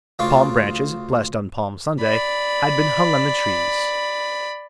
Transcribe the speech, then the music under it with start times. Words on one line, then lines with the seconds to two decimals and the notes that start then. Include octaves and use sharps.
Palm branches, blessed on Palm Sunday, had been hung on the trees.
0.19 D2 C#3 F4 D5 F5 C#6
2.02 D5 B5